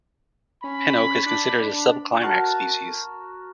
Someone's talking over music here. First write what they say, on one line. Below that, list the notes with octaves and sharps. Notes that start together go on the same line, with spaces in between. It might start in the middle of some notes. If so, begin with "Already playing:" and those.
Pin oak is considered a subclimax species.
C#4 B5
D4
F#4 A#4 A5